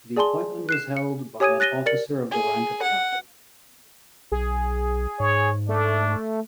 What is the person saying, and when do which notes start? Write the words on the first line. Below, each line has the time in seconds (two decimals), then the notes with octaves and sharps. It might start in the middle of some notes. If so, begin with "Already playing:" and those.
The appointment was held by an officer of the rank of Captain.
0.16 G#4 D5 G#5 A5 C6 G7
0.69 F#6 C7 E7
0.97 C#7
1.40 G4 C#5 G#5 D#6 G#6 D#7
1.60 F#6 A6 A#6 D#7 G7
1.86 A#4 D5 A6 C#7 F#7
2.31 G#4
2.82 F#5
4.32 B1 G#4
5.20 G#2 C#5
5.69 A3 D4